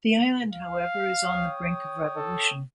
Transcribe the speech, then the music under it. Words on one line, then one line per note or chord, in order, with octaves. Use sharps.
The island, however, is on the brink of revolution.
F5
C#5 G5 D#6
A4